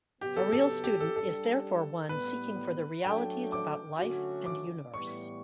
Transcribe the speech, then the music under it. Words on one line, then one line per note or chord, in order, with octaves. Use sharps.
A real student is therefore one seeking for the realities about life and universe.
C#3 F#3 B3 G4
A4
A4
G4
A4
G3 D4 G4 A4
A2 G3 B3 B4
F#3 A3 D4 A4 G5
D6
D3 F#3 A3 C#4 F#4
D6
A2 E3 G3 B3 C#6